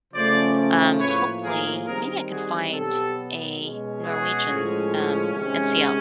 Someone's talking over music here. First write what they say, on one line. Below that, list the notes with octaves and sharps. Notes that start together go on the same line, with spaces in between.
um, hopefully maybe I could find a Norwegian, um, NCL
C#3 F3 A3 C#4 C5 D5
A2 F3 A#3 B4 C#5
G#4 A#4
D#3 G3 C4 G#4 A#4
F#4 G#4
B2 F#3 B3 G4 A4
B2 G#3 C#4
F#4 G#4
A2 F3 G#3 C#4
C3 D#3 G#3 C#4